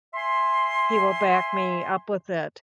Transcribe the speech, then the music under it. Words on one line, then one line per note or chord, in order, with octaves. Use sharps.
he will back me up with it.
E5 G#5 C6